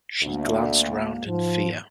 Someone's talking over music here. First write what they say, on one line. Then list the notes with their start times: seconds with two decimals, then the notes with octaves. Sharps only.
She glanced round in fear.
0.23 D2 A#3
1.26 G#2 F3